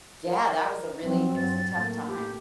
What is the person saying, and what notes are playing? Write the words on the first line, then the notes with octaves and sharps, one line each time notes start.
Yeah, that was a really it was a tough time.
A#4
F3 F#3 C4
G2 A6
A2 A3 A#3
G4